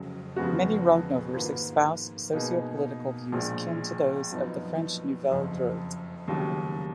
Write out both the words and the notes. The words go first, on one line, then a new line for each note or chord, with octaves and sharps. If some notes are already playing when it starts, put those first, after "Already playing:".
Many Rodnovers espouse socio-political views akin to those of the French "Nouvelle Droite".
Already playing: F1 F2 C#3 F#3
F2 C#3 G#3 B3 F#4
G#2 D#3 A#3 F4 B4
B2 A#3 D#4 G#4 B4
A#1 A#2 G#3
F#2 F3 B3 D#4
F#1 F2 C#3
F1 D#2 C#3 F#3